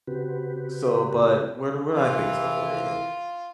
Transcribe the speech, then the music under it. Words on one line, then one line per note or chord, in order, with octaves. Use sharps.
So, but where do where do I think it's overrated?
C#3 C4 F#4 G4 B4
C3 D#3 E3 F4 F5